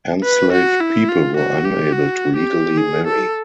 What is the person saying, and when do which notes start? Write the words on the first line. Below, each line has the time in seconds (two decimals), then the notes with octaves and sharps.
Enslaved people were unable to legally marry.
0.23 B4
0.53 F#4
0.81 E4
1.09 F4
1.37 F#4
1.65 G4
1.93 F#4
2.36 G4
2.78 G#4
3.07 A4